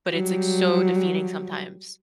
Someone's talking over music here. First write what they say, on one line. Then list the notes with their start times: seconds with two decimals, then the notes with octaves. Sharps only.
but it's, like, so defeating sometimes
0.12 F#3 G3